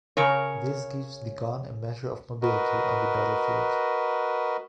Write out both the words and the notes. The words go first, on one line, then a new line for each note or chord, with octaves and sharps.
This gives the gun a measure of mobility on the battlefield.
C#3 A#4 C#5
F#4 A#4 B4 D#5